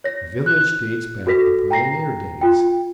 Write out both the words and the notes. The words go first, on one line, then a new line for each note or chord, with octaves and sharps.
The village dates back to pioneer days.
C#5 A#6
F#6
F#4 A4 B4 A#6 B6
G5 A#5 A#6 C7
F4 G5